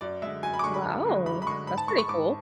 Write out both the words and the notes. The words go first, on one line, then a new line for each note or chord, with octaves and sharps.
Wow, that's pretty cool.
F#2 D5
D3 G#3 E5
F#2 G#5
B5
D6
D3 G#3 C#6
B5
F#2
D3 G#3
F#2 B5
B5
D3 G#3 C#6
G#2 B5
A5
G#3 C#6
C#6
G#2 D6